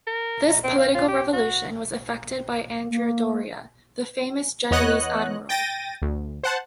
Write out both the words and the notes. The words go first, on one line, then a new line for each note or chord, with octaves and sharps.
This political revolution was effected by Andrea Doria, the famous Genoese admiral.
A#4
A#5
C4
F5
F4
G4
F#4
A#3
E2 B3 C#5 D#5 F#5 F#6
G5 A6 A#6 D#7
D2
C5 F#5 A5